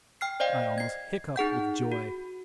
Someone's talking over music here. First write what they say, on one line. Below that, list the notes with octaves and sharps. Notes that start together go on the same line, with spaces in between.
I almost hiccoughed with joy.
G5 F6 C7
C5 D5 D#5 F5 G5
G#6 C7
D#4 G#4 F#5 G6
F#4